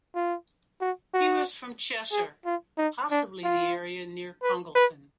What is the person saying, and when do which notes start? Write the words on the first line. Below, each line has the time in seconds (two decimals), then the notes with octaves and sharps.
He was from Cheshire, possibly the area near Congleton.
0.15 F4
0.81 F#4
1.14 F#4
2.12 G#4
2.45 F4
2.78 D#4
3.11 D4
3.44 F4
4.42 B4
4.75 B4